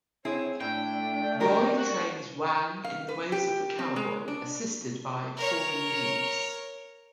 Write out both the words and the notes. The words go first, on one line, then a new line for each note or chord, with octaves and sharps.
Roy trains Wang in the ways of the cowboy assisted by Falling Leaves.
C4 E4 G#4 C#5
A2 A3 D4 D5 G5
D#3 G4 A#4
F#4
F5
B4
G4
C4
G#3
D4
A#4 C#5